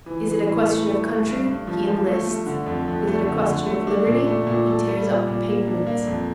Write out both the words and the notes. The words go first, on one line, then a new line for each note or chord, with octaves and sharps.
Is it a question of country, he enlists; is it a question of liberty, he tears up the pavements.
E3
E3
A2
A3
A3
A3
G2
G2
F3
F3
A3
A3
D3
F2
F2
A3
D3
D3
A3
D4
A#2
A3
A#2
A4
G3
A#2
A#2
A#3
D4
A#3
F2